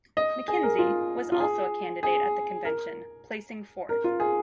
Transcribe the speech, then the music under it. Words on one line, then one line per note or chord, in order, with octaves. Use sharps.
McKenzie was also a candidate at that convention, placing fourth.
D#5
G#4
A#4
F4
F4
G#4
G#4
A#4
A#4
F4
G#4